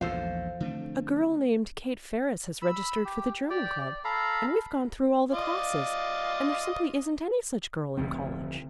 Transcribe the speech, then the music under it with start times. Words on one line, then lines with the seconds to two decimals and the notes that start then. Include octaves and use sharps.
"A girl named Kate Ferris has registered for the German Club, and we've gone through all the classes, and there simply isn't any such girl in college."
0.01 A#1 E2 G#2 F3 A4 C5 F5
0.60 D3 A3 C4
2.62 B5 E6
3.05 G4
3.50 G4 D5 G5
3.81 D5
4.04 A4 F5 A#5 B5
5.33 F4 D5 D#5
7.97 F1 D2 F3 C4